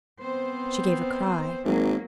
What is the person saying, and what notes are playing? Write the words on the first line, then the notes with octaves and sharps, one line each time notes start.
She gave a cry.
B3 C4 C5
G#1 F#3 A#3